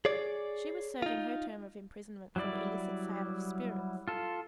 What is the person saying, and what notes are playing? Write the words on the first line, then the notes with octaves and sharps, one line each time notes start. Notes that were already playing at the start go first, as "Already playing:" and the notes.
She was serving her term of imprisonment for illicit sale of spirits.
G#4 C#5 D5
D#4 F4
F#3 G3 E4 D5
F4 A4